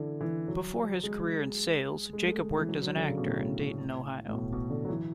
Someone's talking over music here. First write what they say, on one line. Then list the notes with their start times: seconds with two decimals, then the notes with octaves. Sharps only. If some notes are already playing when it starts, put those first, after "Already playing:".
Before his career in sales, Jacob worked as an actor in Dayton, Ohio.
Already playing: D3 E3
0.21 E3
0.48 F#3
1.03 G#3
2.13 G#3
2.25 A3
2.37 G#3
2.57 E3
2.69 F#3
2.83 F#3
2.96 D3
3.10 C#3
3.17 B2
3.24 A2
4.28 A2
4.34 B2
4.53 B2
4.70 D3
4.85 F#3
4.89 E3